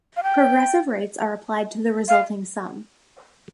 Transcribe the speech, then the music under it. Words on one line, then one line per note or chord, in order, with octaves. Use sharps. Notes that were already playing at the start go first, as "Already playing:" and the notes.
Progressive rates are applied to the resulting sum.
F5
G5
F5